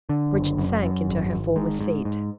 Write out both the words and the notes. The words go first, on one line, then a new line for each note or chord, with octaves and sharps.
Bridget sank into her former seat.
D3
F#1
F#2
F#2
G#1
G#1
G#2
G#2
G#2